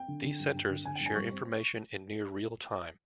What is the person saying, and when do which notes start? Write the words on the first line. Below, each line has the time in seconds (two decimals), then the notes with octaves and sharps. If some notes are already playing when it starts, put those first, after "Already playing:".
These centers share information in near real-time.
Already playing: G5
0.08 D3
0.24 D3
0.40 G2
0.54 G2
0.70 D3
0.85 D3 G#5
0.96 G5
1.01 G2
1.06 G#5
1.15 G3 C#6
1.32 C4